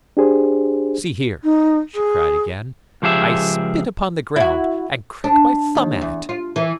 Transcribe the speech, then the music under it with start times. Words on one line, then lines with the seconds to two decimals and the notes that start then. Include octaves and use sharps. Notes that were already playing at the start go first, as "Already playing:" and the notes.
See here!" she cried again--"I spit upon the ground, and crack my thumb at it!
0.17 D4 G4 G#4 C5
1.43 D#4
1.94 G#4
3.02 C#2 F3 G4 G#4 E5
4.36 E4 F#4
5.24 D4
5.75 D#2
6.01 E2
6.29 F4
6.56 E3